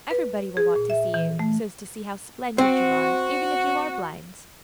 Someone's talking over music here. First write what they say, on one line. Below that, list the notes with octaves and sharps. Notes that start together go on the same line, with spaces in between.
Everybody will want to see you, so's to see how splendid you are, even if you are blind.
B4
G#4
A#2
E5
E3
A3
C4 F#4